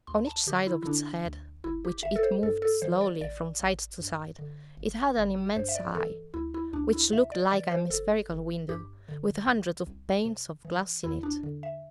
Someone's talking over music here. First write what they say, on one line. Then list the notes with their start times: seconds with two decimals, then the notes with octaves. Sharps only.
On each side of its head, which it moved slowly from side to side, it had an immense eye, which looked like a hemispherical window, with hundreds of panes of glass in it.
0.07 D2 C6
0.27 A5
0.47 D3 G4
0.67 E4
0.83 E4
0.86 D3 D4
1.25 D2
1.64 G1 E4
1.85 G4
2.03 G1 E5
2.16 A4
2.23 C5
2.43 G2 A4
2.62 A4
2.82 E3 C5
3.01 D5
3.21 A1 D5
3.60 A1
4.00 G2
4.39 D3
4.77 G1
5.17 G1
5.56 G2 C5
5.68 E5
5.75 D5
5.95 E3 A4
6.34 D2 E4
6.54 E4
6.73 D2 D4
6.93 E4
7.13 C3 E5
7.32 D5
7.51 E3 D5
7.71 C5
7.90 G1 A4
8.30 G1
8.69 G2 G4
9.09 D3
9.47 C2
9.87 C2
10.25 C3
10.65 E3
11.04 E2 E4
11.23 D4
11.43 D3
11.63 E5